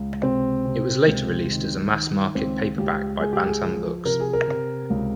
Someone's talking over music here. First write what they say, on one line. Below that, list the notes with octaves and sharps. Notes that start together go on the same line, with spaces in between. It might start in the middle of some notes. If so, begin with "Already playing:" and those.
It was later released as a mass-market paperback by Bantam Books.
Already playing: C#2
C3 C4
C3
C#2
D#3
D#3
C#2 C4
C#2 G4
C#2 G#4
G4
G#4
F3
C3 A#4
G#4
A#4
C3
C#2